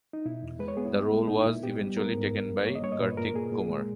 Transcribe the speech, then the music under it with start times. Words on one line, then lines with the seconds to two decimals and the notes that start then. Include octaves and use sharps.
The role was eventually taken by Karthik Kumar.
0.13 D#4
0.25 B2 E4
0.43 E2
0.59 G#3 B4
0.68 C#5
0.77 B3 G#4
0.85 E4
0.94 G#3
1.12 G#3
1.28 A#2 D#4
1.46 A#2 E4
1.63 B3 G4
1.81 G3
1.97 B3 A#4
2.14 G#2
2.32 G2
2.49 G2
2.65 A#3 C#5
2.75 D#5
2.83 G2 C#5
2.92 D#5
3.00 A#2 B4
3.17 A#2 A#4
3.34 A#2 G#4
3.52 A#2
3.70 G#3